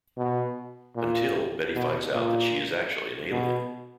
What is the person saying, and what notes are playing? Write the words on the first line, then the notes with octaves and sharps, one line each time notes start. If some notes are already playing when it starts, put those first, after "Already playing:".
Until, Betty finds out that she is actually an alien.
B2
A#2
B2
A#2
B2